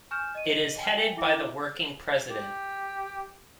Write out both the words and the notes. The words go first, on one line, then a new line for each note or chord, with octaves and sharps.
It is headed by the Working President.
G#5 C#6 F6 G6 E7
D#5 D#7
G5 G#5
E4 E5 D6
G4